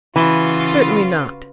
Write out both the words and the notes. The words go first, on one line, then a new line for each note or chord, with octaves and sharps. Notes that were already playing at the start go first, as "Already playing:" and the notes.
Certainly not.
C#3 E3 F4 F#4